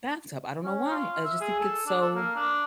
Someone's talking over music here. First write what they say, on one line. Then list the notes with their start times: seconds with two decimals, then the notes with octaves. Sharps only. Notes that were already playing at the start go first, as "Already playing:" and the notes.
bathtub." I don't know why. I just think it's so
0.64 C#4
0.91 F4
1.25 E5
1.41 G#4
1.60 A4
1.87 D4
2.01 A4
2.15 A#3
2.36 D4